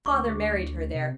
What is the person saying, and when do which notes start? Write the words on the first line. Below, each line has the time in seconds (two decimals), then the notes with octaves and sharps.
Father married her there.
0.06 D2 C#6 D6
0.95 C3